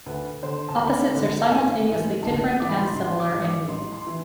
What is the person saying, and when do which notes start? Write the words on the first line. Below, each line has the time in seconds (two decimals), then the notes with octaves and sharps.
Opposites are simultaneously different and similar in meaning.
0.06 D2 B4
0.42 D3 C5
0.69 A5
0.78 D2 B5
1.14 D3
1.45 A5
1.51 G#1 G#5
1.87 G#2 E3
2.23 G#1 A5
2.59 G#2 E3 D6
2.69 B5
2.77 C6
2.95 A1 C6
3.20 D6
3.32 G#2 E3
3.44 D6
3.68 A1 C6
3.92 C6
4.07 E3